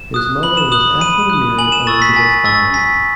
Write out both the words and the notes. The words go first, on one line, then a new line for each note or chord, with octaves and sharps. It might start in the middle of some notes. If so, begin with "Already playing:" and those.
His mother was Ethel Mary Elizabeth Bannerman.
Already playing: E7
D#6 F#6
B5 F#7
E7
D#6 F#6 F#7
B5 D#7
D#6 F#6
G#5 F#7
E7
C#6 E6 A6
B6
G#5 A6
C#6 E6 A6
G#5 B6